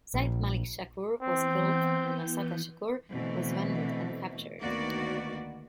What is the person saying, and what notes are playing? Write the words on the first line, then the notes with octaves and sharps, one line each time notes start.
Zayd Malik Shakur, was killed and Assata Shakur, was wounded and captured.
A#1
E3 B3 C4 G6
B2 D3 E3 A3 C4
D2 D#3 A#3 B3 F#4 D5